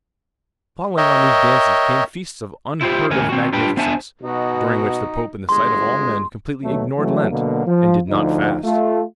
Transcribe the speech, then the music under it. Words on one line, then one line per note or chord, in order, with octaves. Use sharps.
Following on these dances came feasts of unheard of magnificence, during which the pope in the sight of all men completely ignored Lent and did not fast.
A#4 C#5 D#5 E5 G5
E4 F4 G4 C5
D#2 A2 C#3 A#4 G#5
C4 F#4
G3 D4 F4 B4 G5
B3 D4 C5 E5 G#5 A5
B2 D#4 F#4
G1 G#3 C6
D#2 B2 D3 F#3 A3
E3 F#3 G#3 A3
B2 D3 F#3 A#3
F3
D2 F3 D#4
A3 F4